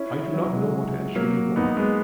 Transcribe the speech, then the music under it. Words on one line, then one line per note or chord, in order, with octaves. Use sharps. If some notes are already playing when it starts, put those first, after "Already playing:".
'I do not know what answer you want.
Already playing: C#4 E4
C#4 E4
F#3
G#3
F#3 A#3
B3 D#4
G#3 B3